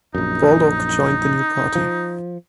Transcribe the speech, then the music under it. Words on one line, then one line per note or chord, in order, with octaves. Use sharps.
Baldock joined the new party.
A#1 F#2 D#4
F3